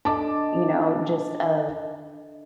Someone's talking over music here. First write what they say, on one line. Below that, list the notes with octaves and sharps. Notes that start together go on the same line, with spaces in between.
you know, gist of
D4 A4 D#5 A5 D6